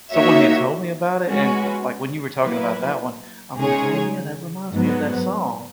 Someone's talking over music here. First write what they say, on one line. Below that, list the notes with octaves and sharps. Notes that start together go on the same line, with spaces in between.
someone had told me about it, and, y like, when you were talking about that one, I'm like, "Oh, yeah. That reminds me of that song."
A#3 D#4 F#4 C#5 E5
G#3 C#4 F#4 B4
F#3 A#3 E4 B4
C#3 G#3 D#4 G#4 C#5
G#2 F#3 B3